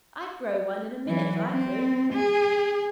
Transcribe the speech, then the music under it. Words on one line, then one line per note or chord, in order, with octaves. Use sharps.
"I'd grow one in a minute if I could."
E3 F#3
C4
G#4